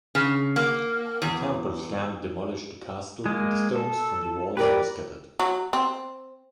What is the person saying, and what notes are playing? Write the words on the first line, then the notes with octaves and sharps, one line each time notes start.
The Campbell clan demolished the castle, and the stones from the walls were scattered.
C#3
A#3
E2
G#3 A#3
A4
G4 A#4 B4 D5
F#3
C4